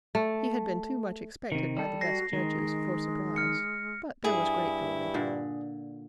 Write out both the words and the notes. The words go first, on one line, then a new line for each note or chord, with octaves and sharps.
He had been too much expected by the best judges, for surprize--but there was great joy.
A3
C3 D#3
G3 A4
F#4 A#6 C7
D#3 G#3
F6 C#7
G2 E4 G#4
A#2 D3